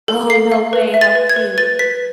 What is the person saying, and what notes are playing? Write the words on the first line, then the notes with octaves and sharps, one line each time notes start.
Oh, no way, how cute.
A4
F5 C7
F5
B4
E5
A6
B4
G#6
B4
B4 A6
B4 B6